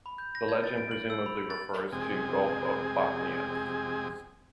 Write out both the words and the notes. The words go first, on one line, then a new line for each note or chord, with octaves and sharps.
The legend presumably refers to Gulf of Bothnia.
B5
G6
A#6
G#6
A6
D7
F#7
E6
B5
A6
F2 C3 G#3 C4 G#4 G#5